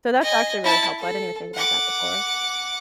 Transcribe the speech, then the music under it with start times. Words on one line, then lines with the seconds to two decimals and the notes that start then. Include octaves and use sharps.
So, that's actually really helpful, I didn't even think about that before.
0.21 D#5 G#5
0.63 E4 A5
0.98 A4
1.54 F#5 D6